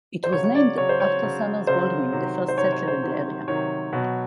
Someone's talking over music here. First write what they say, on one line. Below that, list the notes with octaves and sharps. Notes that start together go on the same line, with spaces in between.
It was named after Summers Baldwin, the first settler in the area.
C5
C#3 F#3 C#5
C#5
D5
C#3 F#3 C#5
C5
C#5
C#3 F#3
C#3 F#3 C5
C3 D#3 F#3
C5
C3 D#3 F#3 C#5
C#5
C5
C3 D#3 F#3
C3 D#3 F#3 C#5
B2 F#3